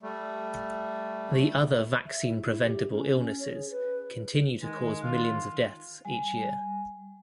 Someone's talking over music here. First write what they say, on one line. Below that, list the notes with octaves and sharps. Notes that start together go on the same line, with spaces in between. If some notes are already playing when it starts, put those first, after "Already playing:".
The other vaccine-preventable illnesses continue to cause millions of deaths each year.
G3 A3
E5
E4
E4
G4
C#4
C#4
C#5
G#4
B4
D#3 G#3
F4
G3 G#5